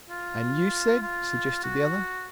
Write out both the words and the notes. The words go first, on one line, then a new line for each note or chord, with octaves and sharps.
"And you said," suggested the other.
F4
F4
F#4